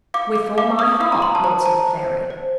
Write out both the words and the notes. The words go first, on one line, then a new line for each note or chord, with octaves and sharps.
"With all my heart," answered the fairy.
F5 D6
D6
F5 D6
D#6
F5 D#6
A#5
C6
A5
C5 A#5
A5
C5
C5